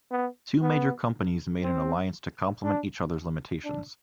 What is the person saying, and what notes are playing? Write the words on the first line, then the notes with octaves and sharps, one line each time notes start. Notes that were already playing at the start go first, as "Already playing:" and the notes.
Two major companies made an alliance to compliment each other's limitations.
B3
B3
C4
D4
D4